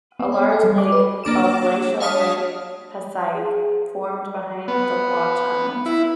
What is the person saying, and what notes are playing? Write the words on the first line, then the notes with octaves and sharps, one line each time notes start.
A large lake, called Glacial Lake Passaic, formed behind the Watchungs.
B3
C#5
A4
G3
D6
B4
A#3 D4 D6 E7
C#5 F5 A5 D#6 F6 B6
G#4
B3
E4